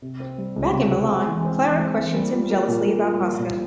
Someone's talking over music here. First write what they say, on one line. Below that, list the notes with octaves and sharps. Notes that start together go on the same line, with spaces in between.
Back in Milan, Clara questions him jealously about Fosca.
C3
C4
G3
C#2
C3
C4
G#3
E3
C4
E3
G#3
E3
G3
F4
A#3
A#2
G3
F4
G3
A#2